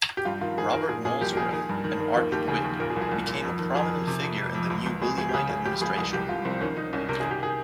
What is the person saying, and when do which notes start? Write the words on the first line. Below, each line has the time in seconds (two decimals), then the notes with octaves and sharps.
Robert Molesworth, an ardent Whig, became a prominent figure in the new Williamite administration.
0.17 G4
0.25 G2 F4
0.41 D#3 F4
0.58 D#3 G#4
0.73 D#3 A#4
0.89 A#2 G#4
1.05 A#2 G#4
1.21 C2 G4
1.33 A#4
1.37 A#2 G#4
1.52 D#3 G#4
1.69 G2
1.84 D#3
2.00 D#3
2.16 D#2 F4
2.32 D#2 G4
2.48 C#3 G#4
2.64 D#2
2.79 A#2 A#4
2.90 G#4
2.96 C2
3.01 G#4
3.11 C2
3.27 A#2
3.44 F2
3.59 D#3
3.75 F2 G#4
3.91 D#3
4.07 C3
4.22 F2
4.38 F2
4.55 F2
4.70 C#2
4.86 C#2
5.02 C#2 G#4
5.18 C#2 G#4
5.29 G4
5.34 C#3 G#4
5.50 C#3 G#4
5.65 C#2 G4
5.81 C#2 G#4
5.97 C2 G#4
6.13 C2 G4
6.29 C2 F4
6.45 C2 C4
6.61 D#3 C#4
6.77 D#3 D#4
6.93 C2 C#4
7.09 C3 A#4
7.20 D#3 G#4
7.31 G4
7.43 G#4